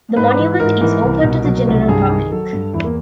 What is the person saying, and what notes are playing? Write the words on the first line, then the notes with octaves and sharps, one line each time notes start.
The monument is open to the general public.
G#2 B4
E3
G#2 A#4
E3
C2
B2
F#3
C2
G2 G#4
D#3
F#3 A4
G2
E2 E4
A#3